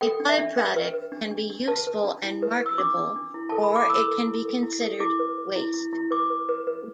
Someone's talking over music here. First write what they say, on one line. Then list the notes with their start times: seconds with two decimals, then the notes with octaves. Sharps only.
A by-product can be useful and marketable or it can be considered waste.
0.01 A4 G5
0.20 D4
0.29 E5
0.38 D4
0.56 B4 G5
0.76 B4
0.93 B4
1.12 D4
1.31 D4
1.50 D4
1.68 B4 A5
1.87 B4
2.04 D4
2.24 E4
2.42 B4
2.60 B4
2.66 E6
2.78 D4 D6
2.97 D4
3.16 D4
3.34 E4
3.49 A4 A5
3.63 B5
3.71 A4 D6
3.89 E4 E6
4.08 A4
4.27 E4
4.45 A4
4.63 E4
4.81 A4
5.00 E4 D6
5.19 B4
5.38 B4
5.56 E4
5.74 E4
5.93 E4
6.11 B4 D6
6.30 B4
6.49 B4
6.67 B4